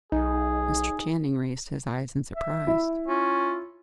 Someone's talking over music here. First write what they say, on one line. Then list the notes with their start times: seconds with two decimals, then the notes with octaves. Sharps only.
Mr. Channing raised his eyes in surprise.
0.12 B1 D#4 G#4
2.36 E5
2.67 E4
3.08 C#4 F4